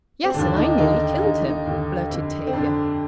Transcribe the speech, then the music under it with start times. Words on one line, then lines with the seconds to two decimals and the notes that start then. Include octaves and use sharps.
"Yes, and I nearly killed him," blurted Tavia.
0.24 C4
0.34 D#2 D3 D4
0.56 D#4
0.78 D#2 D3 D#4
1.22 D#2 D3 D#4
1.44 D#4
1.66 D#2 D3
2.09 F2 D3
2.47 C4
2.53 F2 D4
2.58 D3